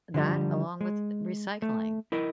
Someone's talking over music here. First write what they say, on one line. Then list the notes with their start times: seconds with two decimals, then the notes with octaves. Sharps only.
that along with recycling.
0.14 D3 F3 G3
0.81 G#3
1.62 A3
2.12 E4 A#4 D#5